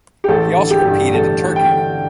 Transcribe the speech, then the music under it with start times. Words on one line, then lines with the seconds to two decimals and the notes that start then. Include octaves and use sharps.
He also competed in Turkey.
0.24 G4
0.28 A1 A4
0.57 D3
0.70 G4
0.85 G2
1.13 A1 A4
1.41 A1
1.56 G5
1.70 D3